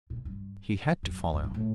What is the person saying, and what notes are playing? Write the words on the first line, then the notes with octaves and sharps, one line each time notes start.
He had to follow.
A#2
G2
F#2
F#2
G2
A2